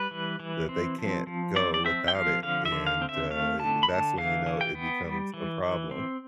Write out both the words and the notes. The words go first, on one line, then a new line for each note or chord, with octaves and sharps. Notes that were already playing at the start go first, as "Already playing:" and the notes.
that they can't go without it, and, uh, that's when, you know, it becomes a problem.
Already playing: G3 B4
E3
E3
C4
F3
F3
C4 D5
D5
C4 E5
G5
F3 F5
D3 F5
E5
D3
F5
C4
E5
A3 F5
D3 A5
B5
D3 A5
E3 F5
E3
G5
B3
G3
E3
E3
C4